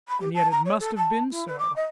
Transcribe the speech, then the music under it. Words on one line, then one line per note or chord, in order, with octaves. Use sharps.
And yet it must have been so!
B5
G4
A5
A#5
C#5
A4
A5
E4
B4
D6
D#5